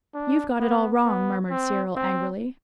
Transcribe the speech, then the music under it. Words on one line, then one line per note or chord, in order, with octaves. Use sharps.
'You've got it all wrong,' murmured Cyril angrily.
D4
B3
B3
C4
C4